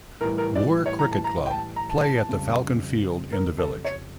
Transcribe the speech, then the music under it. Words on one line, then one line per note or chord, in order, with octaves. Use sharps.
Woore Cricket Club play at the Falcon Field in the village.
A2 E3 G3 A#4
A#4
D5
C#5
A#5
A5
A#5
G5
A5
A#5
A5
A5
A5
F2 C#3 G3
A#4
A4
C#5